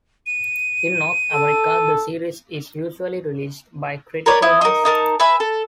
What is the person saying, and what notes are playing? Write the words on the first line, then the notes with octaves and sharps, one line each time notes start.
In North America, the series is usually released by Critical Mass.
D#7
A4
A#4 B4 C#5 D5
E4 D#6
D#4 A#4
D#4 A#4 A5
B4 E5 G#5
A4